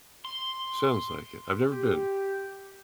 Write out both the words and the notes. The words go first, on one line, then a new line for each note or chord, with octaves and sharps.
sounds like it, I've never been
C6
G4